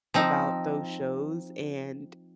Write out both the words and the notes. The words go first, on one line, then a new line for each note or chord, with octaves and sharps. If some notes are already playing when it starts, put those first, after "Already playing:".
about those shows, and
F3 C4 D#4